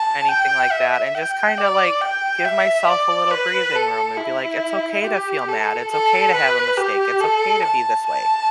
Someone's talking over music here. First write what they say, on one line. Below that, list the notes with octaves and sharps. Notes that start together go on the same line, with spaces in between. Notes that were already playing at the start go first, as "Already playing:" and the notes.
anything like that, and just kinda, like, give myself a little breathing room and be like, "It's okay to feel mad. It's okay to have a mistake. It's okay to be this way."
Already playing: A5
G5
E5
G5
D5
G5
E5
D5
B4
A4
E4
G4
A4
A4
B4
G4
A4
A5
A5